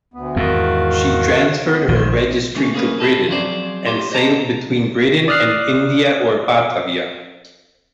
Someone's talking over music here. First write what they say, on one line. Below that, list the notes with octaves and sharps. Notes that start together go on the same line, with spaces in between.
She transferred her registry to Britain and sailed between Britain and India or Batavia.
D2 B3
E2 G#2 D#3 F#4 F5
B3
A#1 D#3 C5
D3 A3 C#4
A#3 C#4 G#4 A#4 B4
E4 F4 G4 A4 B4
F3 F#3 C4 G#4 C5 D5
F4 G4
C5 D#5 A5 A#5
D5 D#6 F6 F#6 C7